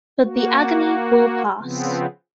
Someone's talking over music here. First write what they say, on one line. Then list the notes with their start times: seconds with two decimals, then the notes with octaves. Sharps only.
But the agony will pass.
0.25 A#3 F#4
1.60 C#3 F3 B3 C4